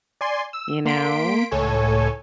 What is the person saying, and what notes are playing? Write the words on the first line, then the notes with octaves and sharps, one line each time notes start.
You know?
D5 G#5 C6
E6
A#3 C6 B6 D7
C#2 A2 A4 C#5 G#5